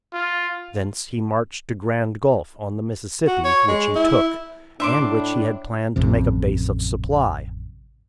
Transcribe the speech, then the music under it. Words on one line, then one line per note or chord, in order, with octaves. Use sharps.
Thence he marched to Grand Gulf, on the Mississippi, which he took, and which he had planned to make a base of supply.
F4
F#4
C#5
G#3
E4
A2 D4 E5 C6 D6
A1 F2 C3